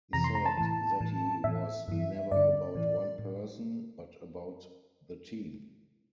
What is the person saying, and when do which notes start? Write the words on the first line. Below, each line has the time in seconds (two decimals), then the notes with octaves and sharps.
He said that he was never about one person, but about the team.
0.13 F2 C3 E3 A#5
0.24 C6
0.35 A#5
0.46 A5
0.57 A2 E3
1.01 A2 E3
1.44 A2 E3 E5
1.88 G2 E3
2.32 G2 D3 D5
2.75 A2 E3
3.19 A2